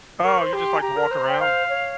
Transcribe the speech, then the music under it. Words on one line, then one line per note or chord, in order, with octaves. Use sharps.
Oh, you just like to walk around?
A#4 C#6
C5
G4 C6
G#5
G4 A#5
A#4
C5
G5
F5
C#5